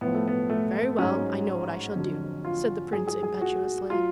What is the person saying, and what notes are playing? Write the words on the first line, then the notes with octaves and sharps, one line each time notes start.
"Very well, I know what I shall do," said the prince, impetuously.
A2 F3 B3
A3
B3
A3
G#2 F#3 C#4
F2 D3 F#3
F4
G#2 F#3 G#4
G#4
G#4
F#4
F#3 F4